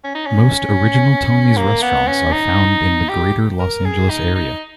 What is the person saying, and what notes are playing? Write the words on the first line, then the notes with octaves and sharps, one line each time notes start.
Most Original Tommy's restaurants are found in the Greater Los Angeles Area.
C#4
D#4
C#4
A#3
B3
C#4
D#4
G4
A#4
G#4
D#4
D#4